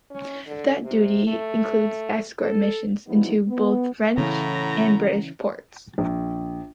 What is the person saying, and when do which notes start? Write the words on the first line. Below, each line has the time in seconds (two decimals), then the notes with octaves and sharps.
That duty included escort missions into both French and British ports.
0.11 C#4
0.47 D3
0.84 C3
1.27 A3
2.40 A4
3.07 E3 F3 G3 B3 D#4 E4
3.48 B3
4.18 A2 C#3 E3 F#5 A#5
5.98 A#1